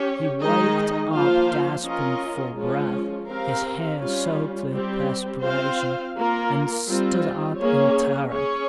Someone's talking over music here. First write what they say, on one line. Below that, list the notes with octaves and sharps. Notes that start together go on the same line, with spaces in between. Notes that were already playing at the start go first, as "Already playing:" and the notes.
He waked up, gasping for breath, his hair soaked with perspiration, and stood up in terror.
Already playing: C#4 G4 C#5
D#3 G#3 D#4 G#4 D#5
F3 A#3 F4 C5 F5
C#4 F4 A#4 D#5
F3 G#3 C#4 F4
C4 G4 A#4 F5
G3 C#4 F4
G3 C4 G4
C4 F4 C5 F5
A#3 F4 A#4
G3 C4 F4
A#3 C#4 G#4 C#5
C#4 G#4 C#5